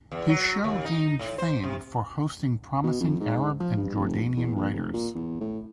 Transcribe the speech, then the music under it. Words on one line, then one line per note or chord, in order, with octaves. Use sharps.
His show gained fame for hosting promising Arab and Jordanian writers.
E2
F#3
D#2
D#4
A2
C5
C3
B2
F2
G#2
F3
G2
F1
E2
A#1
F1
A#2
E2
A2